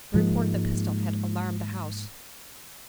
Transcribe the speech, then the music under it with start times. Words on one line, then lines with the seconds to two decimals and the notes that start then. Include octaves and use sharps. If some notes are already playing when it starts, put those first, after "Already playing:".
The report of the pistol had alarmed the house.
0.14 G#2 F3 G#3 A#3